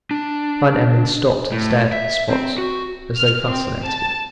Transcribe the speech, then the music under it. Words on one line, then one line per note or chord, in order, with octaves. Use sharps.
Van Emmon stopped and stared at the spot as though fascinated.
D4
A2
E5
C4
F#4
F6
C4
A5